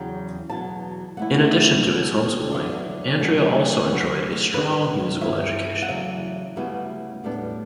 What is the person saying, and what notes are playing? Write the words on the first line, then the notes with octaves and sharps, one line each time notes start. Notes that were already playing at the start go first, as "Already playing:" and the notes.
In addition to his homeschooling, Andrea also enjoyed a strong musical education.
Already playing: E2 C#3 F#3 G5
E2 B2 F#3 A5
D3 A3 E4 F#5
B2 G3 C#4
D3 F#3 B3 E4 D5
C#3 F#3 A3 C#4
D2 C#3 F#3 B3
C#3 G3 D4 B4
G2 E3 G3 B3 E4 E5
F#5
E2 C#3 F#3 A3 E5
D2 C#3 G3 B3 E4 F#4
A2 G3 B3 D4